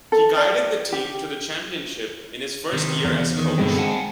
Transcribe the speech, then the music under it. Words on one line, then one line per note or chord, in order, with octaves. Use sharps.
He guided the team to the championship in his first year as coach.
A4
D5
G4
C3 D#3
E2
D#3
G2 B2 D3 G#3 C4
F#5 G#5 A5